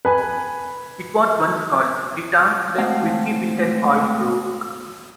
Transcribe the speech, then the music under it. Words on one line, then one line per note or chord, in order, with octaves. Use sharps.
It was once called ...the town that whisky built and oil broke.
B4 G#5 B5
G#3 A3 C4 F5 F#5